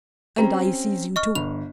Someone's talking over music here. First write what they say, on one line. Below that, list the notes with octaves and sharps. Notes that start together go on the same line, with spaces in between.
And I sees you too.
C4 C#4 G4 A#5
D#5 C#6 F6
G1 F7